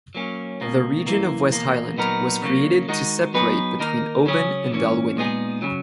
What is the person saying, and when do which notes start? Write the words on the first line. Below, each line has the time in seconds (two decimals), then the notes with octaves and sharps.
The region of West Highland was created to separate between Oban and Dalwhinnie.
0.15 F#3 A#3 C#4
0.61 C#2 B2 A#3
1.07 F#2 E3 A#3
1.52 E2 B2 A#3
1.97 A#2 F#3 B3 D#4 A#4
2.42 C#3 F#3 A#3
2.89 D#3 G#3 D#4 F#4
3.34 F#3 B3 D#4 G#4 B4
3.79 D#3 A#3 D#4 A#4
4.26 C#3 F#3 C#4 G#4
4.71 G#2 E3 A#3 C#4
5.16 A#2 G#3 B3 D#4 G#4
5.62 C#3 F#3